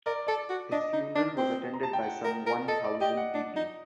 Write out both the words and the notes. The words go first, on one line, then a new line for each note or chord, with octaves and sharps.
His funeral was attended by some one thousand people.
A#4 D5
A4 D5
F#4
D4 D#5
D#4
D4
C4
A#5
A5
G5
F#5
A#4
A#4
A4 D#5
D5
D5
G4 D#5
F#5
D4
D#4